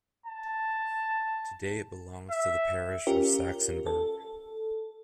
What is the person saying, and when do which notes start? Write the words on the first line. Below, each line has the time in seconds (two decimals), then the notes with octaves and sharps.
Today it belongs to the parish of Sachsenberg.
0.26 A5
2.31 E5
3.07 C#4 F4 G4 A#4
3.86 A4